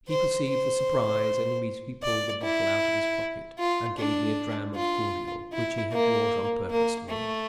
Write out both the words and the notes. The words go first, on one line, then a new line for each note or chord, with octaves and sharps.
He perceived the surprise, and immediately pulled a bottle out of his pocket and gave me a dram of cordial, which he had brought on purpose for me.
C5
C5
D5
E4
F4
D4
F4
E4
A#3
A#3
A3